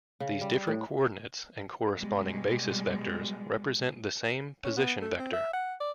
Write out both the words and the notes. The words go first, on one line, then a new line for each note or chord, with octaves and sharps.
These different coordinates and corresponding basis vectors represent the same position vector.
C#3
G3
A2
B2 G3 G#3
C#4
B3
A3
C4
E5
F#5
D5